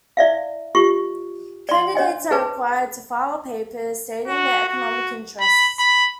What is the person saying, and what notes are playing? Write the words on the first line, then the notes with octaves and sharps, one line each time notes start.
Candidates are required to file papers stating their economic interests.
E4 D5 E5 F5
F4 G4 C#6
D5 C6
D4 C#5 D#5 G#5
G#4 B4 A5
F#4
F#4
B5
B5